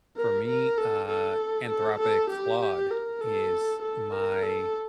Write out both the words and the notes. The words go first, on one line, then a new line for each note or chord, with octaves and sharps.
for me, uh, Anthropic Claude is my
A#4
A#4
A4
A4
A4
A4
G4
A#4
A4
A4
A#4
A4